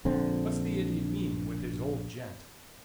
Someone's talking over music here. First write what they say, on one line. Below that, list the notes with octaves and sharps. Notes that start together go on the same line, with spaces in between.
'What's the idiot mean!--with his old gent!
A#1 D3 C4